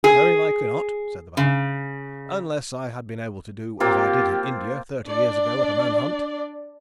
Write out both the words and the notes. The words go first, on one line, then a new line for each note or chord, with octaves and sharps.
"Very likely not," said the Baron, "unless I had been able to do as I did in India thirty years ago at a man hunt."
G#4
C#3
A#3 C4 F4 G4
D4 D5